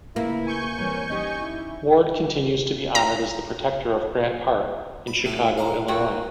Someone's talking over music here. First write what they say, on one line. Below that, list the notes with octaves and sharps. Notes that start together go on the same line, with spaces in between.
Ward continues to be honored as the protector of Grant Park in Chicago, Illinois.
C#3 A#3 E4 F4 B4
G#5 C#6 G6
E3 G3 C4 A#4 B4 C#5
C#4 D#4 G4 D#5
E4
A#5
B5
A2 A4
F5 A#5
F#2 A#3 F#4 G5